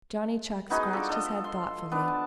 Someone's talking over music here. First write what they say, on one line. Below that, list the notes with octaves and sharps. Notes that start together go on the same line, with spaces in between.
Johnny Chuck scratched his head thoughtfully.
B3 D#4 F#4 G#4
D4 F4 A4
A4 D#5
C6
B3 D4
A5